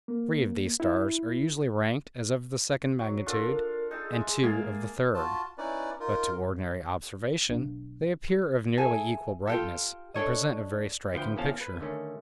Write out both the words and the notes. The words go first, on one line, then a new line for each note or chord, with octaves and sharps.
Three of these stars are usually ranked as of the second magnitude, and two of the third; but to ordinary observation they appear of nearly equal brightness, and present a very striking picture.
A#3
E4
F#3
D4 F4 A4 A#4
D#4 G#4 A4
G#3 E5
G#3 A#3 G#4 A5
F4 F#4 A5
C#4 D#4 E4 B4 D5
D#4 F4 A#4
B1 D4
G#4 A4 E5 G#5
F4 G4 A4
D4 A4 C#5 D#5
D2 F3 B4 G5
E2 F3 C#4 F5 A5
B4
D3 D#3 A3 C#4